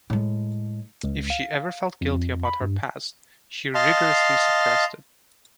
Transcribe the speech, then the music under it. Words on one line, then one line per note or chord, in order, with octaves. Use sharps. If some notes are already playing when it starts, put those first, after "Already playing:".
If she ever felt guilt about her past, she rigorously suppressed it.
A2 G#3
C#2
F5
F2
B5
G2
D#5 F5 A5 C6